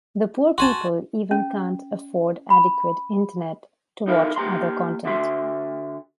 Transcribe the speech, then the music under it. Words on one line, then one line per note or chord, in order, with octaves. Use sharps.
The poor people even can’t afford adequate internet to watch other content.
F#4 G#5 A5 C6
C#4
B5
D#4 E4 A4 A#4 F5
A#3 G4 A#5 C6
D3 F#4 E5 B5 C6